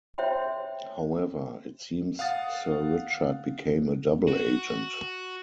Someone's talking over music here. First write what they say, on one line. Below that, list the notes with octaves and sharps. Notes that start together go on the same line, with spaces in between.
However, it seems Sir Richard became a double agent.
C5 C#5 E5 G5 C6
F5 F#5 D#6 A6
F#4